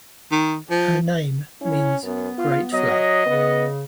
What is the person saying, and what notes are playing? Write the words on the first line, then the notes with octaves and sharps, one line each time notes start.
Her name means "Great Flood".
D#3
F3
C#4 E4
F#2 B3
F4
F#3 D#5
C#3 B3